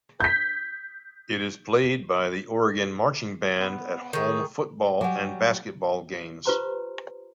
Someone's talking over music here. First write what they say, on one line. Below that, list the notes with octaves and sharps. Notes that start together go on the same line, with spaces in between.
It is played by the Oregon Marching Band at home football and basketball games.
G6 B6
B3
D#3 G#4 C#6
F#3 G3 F#5 G#5 D6
F4 G4 B4 C5 A#5 C6